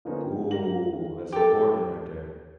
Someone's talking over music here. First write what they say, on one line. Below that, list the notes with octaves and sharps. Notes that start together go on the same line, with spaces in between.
Ooh, that's important right there.
D3 F3 A#3 B3 C#4 D#4
G5
G#3 A#4 A#6 F#7
D#3 E3
G4 A4